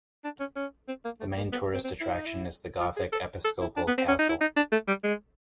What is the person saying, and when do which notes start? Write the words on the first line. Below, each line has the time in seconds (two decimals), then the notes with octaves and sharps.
The main tourist attraction is the Gothic Episcopal castle.
0.24 D4
0.40 C#4
0.56 C#4
0.88 C4
1.05 A#3
1.20 A3
1.37 A#3
1.53 B3
1.74 C4
1.84 C4
2.01 E4
2.12 D#4
2.26 E4
2.80 F4
2.97 G#4
3.13 A4
3.45 A4
3.61 E4
3.77 D4
3.88 B3
3.98 C4
4.08 C#4
4.19 D#4
4.29 E4
4.41 D#4
4.56 D4
4.72 A3
4.88 G3
5.04 G#3